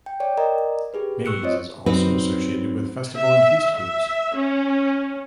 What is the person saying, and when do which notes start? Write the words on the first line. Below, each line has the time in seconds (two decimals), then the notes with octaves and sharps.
Maize is also associated with festival and feast foods.
0.06 G5
0.20 C#5 D5 G5
0.37 A#4 D5 D#5 A#5
0.94 G4 G#4 B4
1.25 C#6 E6 F#6 C#7 D7
1.43 C4 F4 C5 C#5 D#5
1.86 F#2 C4 D#4 F#4 B4
3.16 E5
3.76 E5
4.36 C#4